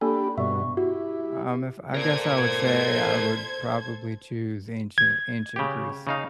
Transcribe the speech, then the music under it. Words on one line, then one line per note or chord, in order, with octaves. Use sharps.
Um, if I guess I would say I would probably choose ancient ancient Greece.
A#3 D4 G4 A4 G#5 B5
G2 B2 D5 E5 C#6
E4 F#4 G4
A4 A#4 C5 D5 G#6
G#6
C#3 G4
C#3 D#4 F5